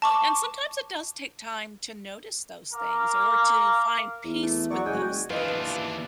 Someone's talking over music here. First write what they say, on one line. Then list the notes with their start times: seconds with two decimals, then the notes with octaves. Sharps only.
and sometimes it does take time to notice those things or to find peace with those things,
0.02 A5 C#6 D6
2.73 A#4 F5 D6
4.24 E2
4.43 A3
4.71 F#3 F#4 D5 C#6
4.86 F#1 G#3 G5 G#5
5.30 D#2 E3 D4 F4 B4 D#5